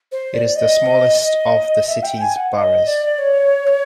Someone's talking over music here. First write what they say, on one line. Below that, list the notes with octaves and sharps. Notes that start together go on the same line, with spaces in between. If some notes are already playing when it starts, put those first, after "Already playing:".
It is the smallest of the city's boroughs.
C5
D5
D#5
D#5
E5
G5
G#5
F#5
D#5
D5
C#5